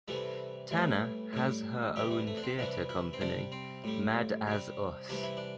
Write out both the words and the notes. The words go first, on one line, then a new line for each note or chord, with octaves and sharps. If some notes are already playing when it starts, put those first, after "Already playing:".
Tanner has her own theatre company, Mad as Us.
C3 E3 G3 A4
A2 E3 G3
A2 G3
C3 E3 G3 G4
G3
A3
D4
C4
C3 E3 G3 D4
E4
C4
C3 G3 D4
C4
A2 G3
C3 G3
C3 E3 G3 D4
E4
D4